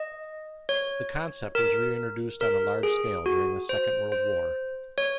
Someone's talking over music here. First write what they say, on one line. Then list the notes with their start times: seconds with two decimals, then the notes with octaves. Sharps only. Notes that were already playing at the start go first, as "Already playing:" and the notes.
The concept was re-introduced on a large scale during the Second World War.
Already playing: D#5
0.69 C#5
1.55 A#4
2.41 A#4
2.83 G#4
3.26 F#4
3.69 C5
4.12 C5
4.98 C#5